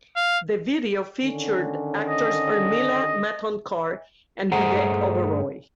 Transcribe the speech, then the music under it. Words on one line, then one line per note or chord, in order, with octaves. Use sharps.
The video featured actors Urmila Matondkar and Vivek Oberoi.
F5
D3 D#3 C#4
D#5
G2 A3 G#4 C5 F#5 A#5